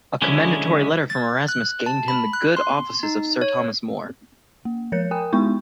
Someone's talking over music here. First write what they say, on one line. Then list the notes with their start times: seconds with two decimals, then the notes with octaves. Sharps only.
A commendatory letter from Erasmus gained him the good offices of Sir Thomas More.
0.22 D3 F#3 G#3 C#4 E4
1.10 A6
1.48 F#6
1.86 A5
2.08 B5
2.33 F#6
2.57 C6
3.03 D#4
3.41 C#5
4.65 A#3
4.92 F3 A#4 C#5 G6 C#7
5.11 A#4 G5 G#5 D#6
5.33 G#3 B3 D#4 E4 C#6 G6